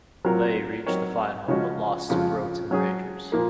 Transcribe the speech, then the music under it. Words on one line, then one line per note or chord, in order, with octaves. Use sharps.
Leigh reached the final but lost to Broughton Rangers.
F#3 C4 F4 A#4
F#3 C4 D#4 A#4 C#5
C#3 F3 G#3 C#4 F#4
F2 C#3 F3
F#3 C#4 G#4
A#2 F3 A#3